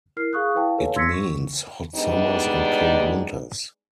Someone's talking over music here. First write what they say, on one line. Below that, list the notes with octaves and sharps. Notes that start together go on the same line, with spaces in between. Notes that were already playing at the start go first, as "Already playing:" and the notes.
It means hot summers and cold winters.
E4 A#4 F6 C7
G#4 F5 C#6 D#6 F#6
E4 B4 F5 G5 A5
A4 B4 C#5 F5 G#5 A5
C6 E6 G#6 A#6 B6 C#7
C#6
G3 G#3 B3 D4 D#4